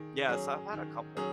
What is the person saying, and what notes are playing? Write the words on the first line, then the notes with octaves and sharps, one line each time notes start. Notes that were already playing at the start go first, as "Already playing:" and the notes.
Yeah, so I've had a couple.
Already playing: D#3 G#4
F#3 C#4 G#4
D#3
F#3 C#4 G#4